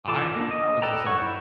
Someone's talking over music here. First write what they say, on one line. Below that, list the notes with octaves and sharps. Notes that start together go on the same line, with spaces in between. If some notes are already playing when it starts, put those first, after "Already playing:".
I I was just like,
E3 F4 A4 D6
A#3 D4
D#5
A4 B4 D5 G5 A#5
C#5 F#5 C#6
E4 C5